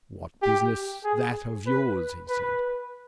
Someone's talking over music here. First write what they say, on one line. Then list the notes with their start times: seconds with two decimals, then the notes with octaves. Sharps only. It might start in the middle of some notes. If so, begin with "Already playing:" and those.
'What business that of yours?' he said.
0.43 G4
1.04 G#4
1.67 B4
2.29 B4